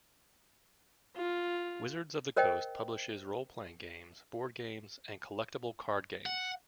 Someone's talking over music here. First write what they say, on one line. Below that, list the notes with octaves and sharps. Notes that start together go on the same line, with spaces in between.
Wizards of the Coast publishes role-playing games, board games, and collectible card games.
F4
A#4 C5 D#5 G5
F#5